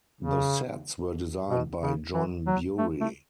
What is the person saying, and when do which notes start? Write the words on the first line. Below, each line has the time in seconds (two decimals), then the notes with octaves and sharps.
The sets were designed by John Bury.
0.21 C#3
1.50 B2
1.83 C#3
2.14 E3
2.47 F#3
2.79 A3
3.01 A3